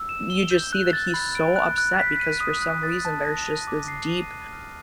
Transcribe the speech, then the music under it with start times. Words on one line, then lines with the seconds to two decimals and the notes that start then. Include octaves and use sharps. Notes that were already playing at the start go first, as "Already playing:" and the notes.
you just see that he's so upset because for some reason, there's just this deep
Already playing: E6
0.09 E7
0.30 G7
0.51 G6
0.73 F#6
0.93 A6
1.14 B5
1.35 D7
1.56 F#6
1.78 F#6
1.99 B6
2.20 D#7
2.40 D#6
2.62 F#6
2.83 A6
3.05 A5
3.25 A#6
3.46 D#7
3.67 D6
3.88 C7
4.09 D#7
4.31 F#6
4.52 F6